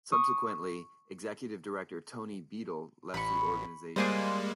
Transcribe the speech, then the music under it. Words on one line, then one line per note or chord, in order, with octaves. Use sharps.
Subsequently, executive director Tony Beadle left the organization.
C#6 D#6
A1 B5 C#6
G3 G#3 A#3 D4 G#4 C5